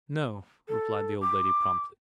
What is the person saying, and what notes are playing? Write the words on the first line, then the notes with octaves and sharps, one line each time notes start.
"No," replied the old lady, promptly.
A4
D6